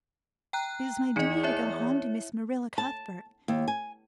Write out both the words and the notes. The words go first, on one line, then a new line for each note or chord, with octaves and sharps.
But it is my duty to go home to Miss Marilla Cuthbert.
G5 A#5 F#6
E2 D#4 D#5 C#7
E4 C#5 E5
A5
D#2
G#5